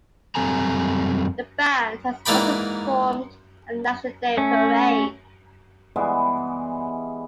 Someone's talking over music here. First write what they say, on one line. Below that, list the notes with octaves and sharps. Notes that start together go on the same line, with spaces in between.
The Band has also performed at the National Day Parade.
F#2 G3 C4 A4 G#5 A#5
G#2 E3 A#3 D5 G5 B5
A3 C#4
E3 G3 G#3 B3